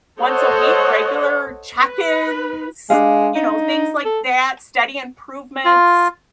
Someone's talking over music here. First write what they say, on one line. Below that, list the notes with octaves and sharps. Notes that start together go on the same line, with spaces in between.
once a week, regular check-ins, you know, things like that, steady improvements,
A4 C5 C#5 D#5 F#5
B4
G#3 D4 F4 F5
D#4
A4
F4